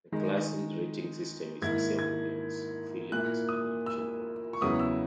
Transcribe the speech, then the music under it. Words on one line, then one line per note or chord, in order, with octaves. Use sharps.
The ClassInd rating system is the same for games, films and television programs.
D#3 G#3 D#4
G#2 D#3 A#3 E4 G#6
G#6
A#2 A#3 E4 F#6
D#6
E6
C#6
E2 C#3 F#3 B3 E4 D#6
E6